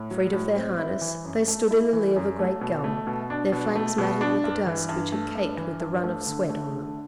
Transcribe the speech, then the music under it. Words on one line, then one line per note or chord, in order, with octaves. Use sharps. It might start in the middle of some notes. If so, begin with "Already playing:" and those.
Freed of their harness, they stood in the lee of a great gum, their flanks matted with the dust which had caked with the run of sweat on them.
Already playing: A2
F#3
A2
C4
E4
E3
F#2
A3
E4
E3
F#2
A3
B2
A3
B2
D4
B2
A3
B2
D4
G2
E3
G2
A3
G2
E3
G2
A3
D3
A3
D3